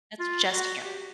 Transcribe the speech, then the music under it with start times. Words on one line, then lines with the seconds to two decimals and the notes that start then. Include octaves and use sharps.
That's just here.
0.19 F4
0.52 F#4
0.84 G4